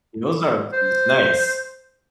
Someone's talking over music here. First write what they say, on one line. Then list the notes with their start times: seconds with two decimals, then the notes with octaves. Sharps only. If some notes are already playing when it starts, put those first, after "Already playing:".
Those are pris nice.
0.73 C5